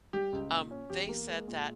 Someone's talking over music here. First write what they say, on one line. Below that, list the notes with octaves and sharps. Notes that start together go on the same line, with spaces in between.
um, they said that
G3 G4
C#2
A#2
C#4
E2 G4
A#3
G#3
A#2